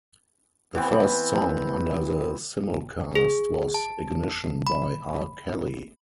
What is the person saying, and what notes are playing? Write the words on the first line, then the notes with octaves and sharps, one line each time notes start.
The first song under the simulcast was "Ignition" by R. Kelly.
E3 B3 C4
G#4
A5
B5